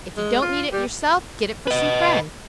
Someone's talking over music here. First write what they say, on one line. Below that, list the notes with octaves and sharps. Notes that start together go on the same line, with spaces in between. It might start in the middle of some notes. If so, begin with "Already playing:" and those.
If you don't need it yourself, get it for some friend.
G#3
F4
G3
B4 D#5